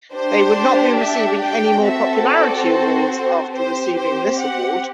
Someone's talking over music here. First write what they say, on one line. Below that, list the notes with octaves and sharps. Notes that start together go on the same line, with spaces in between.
They would not be receiving any more popularity awards after receiving this award.
D4 G4 C5
E5
G5
C4 F#4 A4 E5
D5
C5
C4 G4 C5
C5
F#5